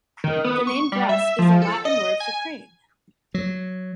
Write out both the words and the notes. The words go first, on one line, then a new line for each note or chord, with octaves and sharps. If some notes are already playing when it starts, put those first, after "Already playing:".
The name "Grus" is the Latin word for "crane".
D#3
B3
C#6
G3
E5
F3
A4
D#5
G#5
F#3